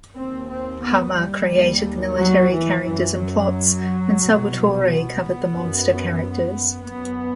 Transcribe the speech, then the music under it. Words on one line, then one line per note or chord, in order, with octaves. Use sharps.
Hama created the military characters and plots, and Salvatore covered the monster characters.
D#2 C4
C4
B3
G3
D#2
F#3
E3
F#2 E3
F#3
C2 B2
B3
F#2
F#2 B3